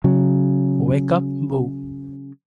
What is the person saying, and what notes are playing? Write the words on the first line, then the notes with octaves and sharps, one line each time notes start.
Wake Up Boo!
C#3 F#3